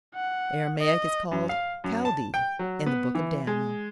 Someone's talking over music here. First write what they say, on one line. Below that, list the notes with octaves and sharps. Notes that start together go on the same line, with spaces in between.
Aramaic is called 'Chaldee' in the Book of Daniel.
F#5
D#5
F#2
F5
F#2
A5
G5
F#3
B3
E3
G#3